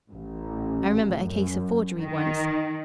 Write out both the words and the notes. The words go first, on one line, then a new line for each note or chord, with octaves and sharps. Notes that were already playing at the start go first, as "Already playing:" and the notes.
I remember a case of forgery once.
A1
F#2
D#3